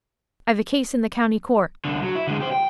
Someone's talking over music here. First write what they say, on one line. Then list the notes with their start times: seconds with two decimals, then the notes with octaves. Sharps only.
I've a case in the County Court.
1.85 C2 D3
2.03 F#3
2.15 E4
2.27 D3 G#3
2.40 G4 C5
2.51 G5